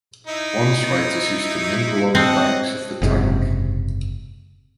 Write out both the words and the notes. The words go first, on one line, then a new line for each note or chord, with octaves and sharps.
Once writers used to mingle on the banks of the tank.
D#4 E4
C4 D#5 F#5 A5
F#1 G#2 C3